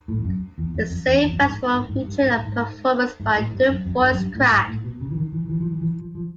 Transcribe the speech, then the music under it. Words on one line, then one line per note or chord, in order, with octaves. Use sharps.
The same festival featured a performance by duo Voice Crack.
A2
F2
F#2
E2
F2
F2
E2
E2
F2
G2
G#2
G#2
G#2
G2
G#2
A2
G#2
G#2
A2
G2
F#2
F2
G2
F#2
G2
A2
G#2
A2
B2
C#3
E3
D#3
E3
D#3
E3
F3
E3
E3
F3
F3